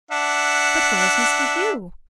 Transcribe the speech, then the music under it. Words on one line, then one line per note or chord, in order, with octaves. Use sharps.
"But where is Mr. Hugh?"
D4 E5 F#5